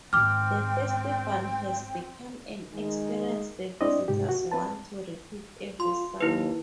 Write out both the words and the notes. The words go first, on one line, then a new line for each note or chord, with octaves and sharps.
The festival has become an experience the visitors want to repeat every summer.
G#2 D#3 C4 G5 D6 F6
D#3 G#3
C4 D4 E4 D5 D#5
G#2 C3 G4
F#4
C4 B4 A5
F4 C6
D#2 E4 B4